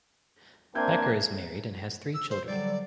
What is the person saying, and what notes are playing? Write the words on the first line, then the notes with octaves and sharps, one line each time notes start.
Becker is married and has three children.
A#3 C4 D4 E5 G5 G#5 G6
E6
C5
D3 F#3 G3 D5